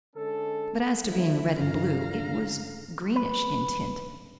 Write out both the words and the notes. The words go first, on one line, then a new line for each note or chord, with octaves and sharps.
But as to being red and blue--it was greenish in tint.
D3 G#3 C#4 A4
D2 F3 E4 E5
G2 D3 F3 F4 F5 A#5
C#3
B4